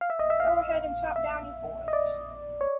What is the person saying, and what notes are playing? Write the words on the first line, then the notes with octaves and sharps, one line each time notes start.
Go ahead and chop down your forests.
F5
E5
D#5
E5
F5
E5
D#5
D5
C#5